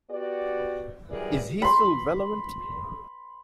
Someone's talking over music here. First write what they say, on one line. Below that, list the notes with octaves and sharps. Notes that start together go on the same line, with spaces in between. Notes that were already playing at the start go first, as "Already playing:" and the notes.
Is he still relevant?
B3 F#4 G4 D5
F#2 E3 G3 G#4 A#4 D5
B5 C6